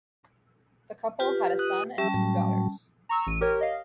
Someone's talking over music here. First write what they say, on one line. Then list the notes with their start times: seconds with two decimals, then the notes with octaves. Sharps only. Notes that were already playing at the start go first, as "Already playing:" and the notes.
The couple had a son and two daughters.
1.19 F4 G4 B4
1.59 D#6 F#6
1.98 G3 C#4 G4 E5 A5
2.14 A2 F#3
3.09 A#5 C#6 E6
3.27 A1 D#7
3.41 G4 A#4 C#5
3.61 D#5 F5